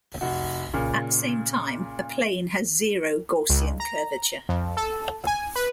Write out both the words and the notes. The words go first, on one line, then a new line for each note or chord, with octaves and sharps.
At the same time, a plane has zero Gaussian curvature.
F1 F#4
A#2 C#3
C#2
A#5
F2
A4
G#5
B4